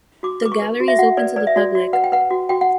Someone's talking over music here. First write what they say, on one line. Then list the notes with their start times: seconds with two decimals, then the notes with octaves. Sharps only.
The gallery is open to the public.
0.23 F#4 D6
0.42 B4 D6
0.52 C#6
0.62 B4
0.80 F#4
0.88 E5
0.99 F#4 F#5
1.17 B4 D5
1.36 B4 D5
1.47 E5
1.56 F#4 D5
1.75 F#4
1.93 B4 F#5
2.04 G5
2.12 B4 F#5
2.30 F#4
2.49 F#4 G5
2.61 F#5